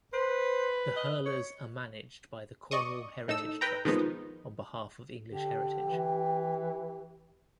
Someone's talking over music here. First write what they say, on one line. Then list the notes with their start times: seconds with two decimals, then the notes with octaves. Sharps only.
The Hurlers are managed by the Cornwall Heritage Trust on behalf of English Heritage.
0.13 B4 C5
0.97 D#5
1.26 C#5
2.71 D5 D#5 C#6 D#6
3.28 A2 D#4 A4 E6
3.61 B4 G5 A#5
3.85 D#3 F3 G#3 B3 D#4
5.31 D3 G4
5.89 E3